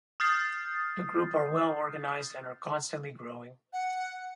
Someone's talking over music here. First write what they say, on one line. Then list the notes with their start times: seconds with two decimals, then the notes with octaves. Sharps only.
The group are well organized and are constantly growing.
0.20 D#6 F6 G6 A6 C7
3.73 F#5